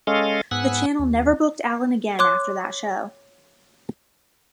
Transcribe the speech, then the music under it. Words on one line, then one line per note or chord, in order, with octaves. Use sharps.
The Channel never booked Allin again after that show.
G#3 C#4 A4 D#5 F5
G#2 B3 F#5 G#5 E6 F#6
D#2
C#5 C6 D6 F#6